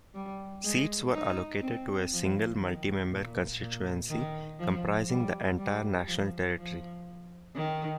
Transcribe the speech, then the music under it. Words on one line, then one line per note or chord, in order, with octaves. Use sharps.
Seats were allocated to a single multi-member constituency comprising the entire national territory.
G3
G#3
D#4
C4
F3
D#3
A#2
A#2
D#3
F3
G3
G3
F3
F3
D#3